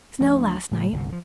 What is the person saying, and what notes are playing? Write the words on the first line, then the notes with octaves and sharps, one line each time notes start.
Snow last night.
D2 F3 A3 D4
A2 C#3 G3
G1 C2 C3
D3 F3